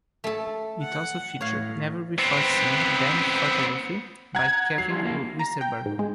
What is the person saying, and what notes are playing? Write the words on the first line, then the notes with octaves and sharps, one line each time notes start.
It also featured never-before-seen band photography by Kevin Westerberg.
A3 A4
F#5
A2 C#5 F5
B3 C4
F#5 A#5 G#6
F#3 C7
E3 F3 G3 C6
F3 A#3 F4
A#5
G5
G#2
G#3